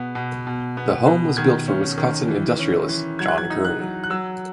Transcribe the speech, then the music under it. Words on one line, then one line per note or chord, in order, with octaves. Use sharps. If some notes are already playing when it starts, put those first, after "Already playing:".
The home was built for Wisconsin Industrialist John Kern.
Already playing: B2 B3
B2
B2
B3
B2
D#3 G#6
C#4
D#3
E3
C#4
E3
F#3 G#6
F#6
G#6
D#4
F#6
F#3
F#6
F#3 E6